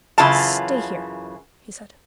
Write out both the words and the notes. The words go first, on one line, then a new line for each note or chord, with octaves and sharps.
"Stay here," he said.
F#2 C#3 E3 F4 A5